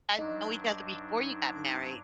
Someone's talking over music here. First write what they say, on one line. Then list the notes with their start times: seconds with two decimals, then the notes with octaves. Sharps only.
guys know each other before you got married?
0.19 G2 F#3 D4 D#4